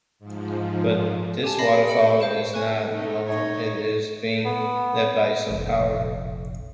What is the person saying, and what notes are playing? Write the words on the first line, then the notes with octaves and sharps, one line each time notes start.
But this waterfowl is not alone; it is being led by some Power.
G#2 F3
G4 G#5 A5
D5 E5 B5 A#6 C7
D#5 G5 B5 C#7 D7
C5 F5 E7
C#5 G#5 C#6 F#6
A3 D#4
D#4 C#5
B3
F1 A#1